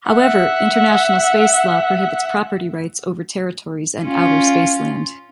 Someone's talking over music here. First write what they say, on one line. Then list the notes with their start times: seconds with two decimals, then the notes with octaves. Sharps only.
However, international space law prohibits property rights over territories and outer space land.
0.11 E5 F#5
4.05 C#4 F4